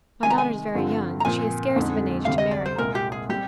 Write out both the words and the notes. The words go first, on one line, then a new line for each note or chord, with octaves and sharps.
"My daughter is very young--she is scarce of an age to marry."
C3 D#3 G#3 D#4 G#5
A#5
G#5
G2 D3 F3 C4 F4
A#5
A#2 F3 C4 G#5
F2 D3 G#3 C4 D#4
D2 C3 G3 F5
D#5
D5
C5
C2 A#2 G#3 C4 A#4
G4
G#4
G3 C4 G4